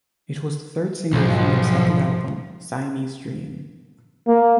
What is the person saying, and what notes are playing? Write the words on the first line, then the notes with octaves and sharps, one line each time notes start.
It was the third single from their second album, "Siamese Dream".
B1 G#2 F3
A#3